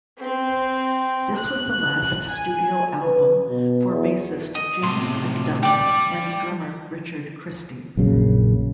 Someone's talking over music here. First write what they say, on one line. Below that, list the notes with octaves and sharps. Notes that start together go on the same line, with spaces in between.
This was the last studio album for bassist James MacDonough and drummer Richard Christy.
C4
F#6
G#5
B4
B2
E2
D#5
A2 C3 C6
G3 G4 D5
A#1 F#2 C#3